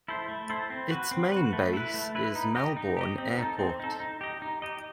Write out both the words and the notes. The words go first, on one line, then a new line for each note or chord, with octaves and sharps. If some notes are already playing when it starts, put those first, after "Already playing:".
Its main base is Melbourne Airport.
E4 A4 C5
A3
E4 A4 C5
C4
F#4 B4
C4
F#4 B4
A3
E4 B4
A3
E4 B4
D#4
G4 D#5
D#4
G4 D#5
C4
D#4 A4
C4
D#4 A4
D#4
G4 D#5
D#4
G4 D#5